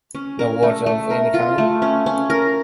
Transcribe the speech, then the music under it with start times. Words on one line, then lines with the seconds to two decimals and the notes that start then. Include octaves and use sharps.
No word of any kind?
0.15 C#4
0.39 A#4
0.63 A3
0.86 A3
1.10 A#4
1.34 F4
1.58 A3
1.82 C#4
2.06 C#4
2.30 A#4